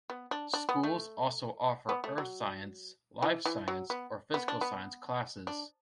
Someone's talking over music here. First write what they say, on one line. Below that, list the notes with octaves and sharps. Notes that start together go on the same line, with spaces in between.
Schools also offer Earth Science, Life Science, or Physical Science classes.
B3
D4
D4
B3
A3
B3
A3
F#3
E3
E3
F#3
B3
B3
D4
B3
D4